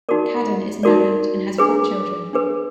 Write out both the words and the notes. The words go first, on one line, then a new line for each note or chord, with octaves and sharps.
Cadden is married and has four children.
D#4 F#4 A#4 D5
D#4 F#4 A#4 D5
D4 G#4 B4
D4 G#4 B4